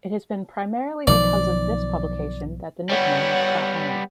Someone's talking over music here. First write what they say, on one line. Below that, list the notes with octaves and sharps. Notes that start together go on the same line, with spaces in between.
It has been primarily because of this publication that the nickname has caught on.
B1 D#3 F3 D5
G3 B3 C#5 F#5